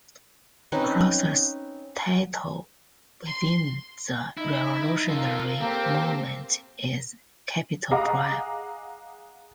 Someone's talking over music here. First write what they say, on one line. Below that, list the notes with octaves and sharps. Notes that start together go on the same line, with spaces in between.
Croser's title within the revolutionary movement is Capital Prime.
C4 C#4 D#4 B4
C6
D#4 E4
F4 A4 A#4 F5
A#3 C4 G4 A4 C5 A#5
G#4 D#5 F5 F#5 A#5 D6